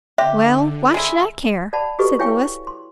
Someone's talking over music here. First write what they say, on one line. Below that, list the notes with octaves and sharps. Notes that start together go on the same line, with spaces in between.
"Well, why should I care?" said Louis.
D3 G4 E5
G#3 E4
D5 F#5 A5 B5
F#4 G4 A4 B4 D#5 C#6
E4 C#5 F5 G5 G#5 C#6
C6